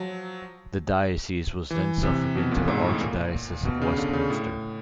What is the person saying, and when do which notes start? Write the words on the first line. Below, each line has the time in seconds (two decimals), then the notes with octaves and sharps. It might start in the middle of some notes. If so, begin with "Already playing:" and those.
The diocese was then suffragan to the Archdiocese of Westminster.
Already playing: F3 F#3
1.70 E3
2.03 C3
2.35 B2
2.51 A#2
2.68 G#2
2.84 A2
3.00 A#2
3.65 B2
3.81 C#3
3.97 D3
4.13 C#3
4.30 A2